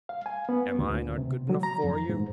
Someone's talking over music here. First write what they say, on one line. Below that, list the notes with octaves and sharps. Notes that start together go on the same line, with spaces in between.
Am I not good enough for you?'
F5
G#5
B3
D2
C3
F#3
A#5
F2
G#2